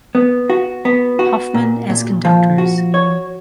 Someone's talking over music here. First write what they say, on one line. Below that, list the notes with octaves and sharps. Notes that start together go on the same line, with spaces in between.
Hoffmann as conductors.
B3
F#4
B3
F#4
A#2
A#2
F3
F#4
C#5